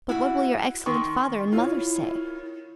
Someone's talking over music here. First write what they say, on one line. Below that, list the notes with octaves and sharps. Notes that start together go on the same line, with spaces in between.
But what will your excellent father and mother say?
E4 F#4
D#3 C6 C#6
E4 F4 C#5